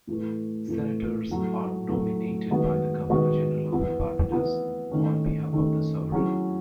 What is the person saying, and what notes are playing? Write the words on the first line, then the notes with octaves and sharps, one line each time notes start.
Senators are nominated by the Governor General of Barbados, on behalf of the Sovereign.
A2 E3 A3
A2 E3 A3
A2 F#3 A3
A2 F#3 A3
D#3 G#3 B3 F#4
D#3 G#3 B3 F#4
E3 B3 E4
E3 B3 E4
D#3 A3 C#4
D#3 A3 C#4
F#3 C#4 E4 G#4